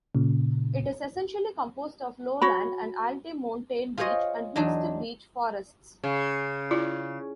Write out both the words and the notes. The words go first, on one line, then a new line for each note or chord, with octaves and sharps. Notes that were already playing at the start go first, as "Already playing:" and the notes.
It is essentially composed of lowland and alti-montane beech and mixed beech forests.
A#2 C#3
F#4 C#5 B5
F4 G#4 C5 C#5 D#5
E2 F#3 D4 D#4
C#3
E4 F4 D5